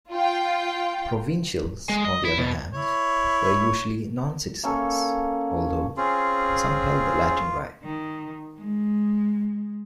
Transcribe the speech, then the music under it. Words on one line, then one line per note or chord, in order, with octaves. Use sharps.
Provincials, on the other hand, were usually non-citizens, although some held the Latin Right.
F4 G5
G#3
D#5
E4
B2
E4 C#5
A#3 C#4 A4
C4 C#4 F4 G#4
D#3
G#3